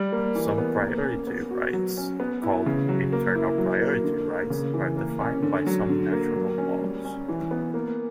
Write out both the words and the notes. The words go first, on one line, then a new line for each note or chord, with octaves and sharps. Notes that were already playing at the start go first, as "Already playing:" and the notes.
Some priority rights, called "internal priority rights", are defined by some national laws.
Already playing: G3
A#3
E3
B3
A#3
C#4
B3
F#4
F#3
C#4
B3
E4
C#3
F#3
A#3
E4
F#3
A#3
D3
A#3
C#3
E3
A#3
C#4
D3
F#3
D3
A#3
F#3
C#4
G3
C#4
E3
B3
A#3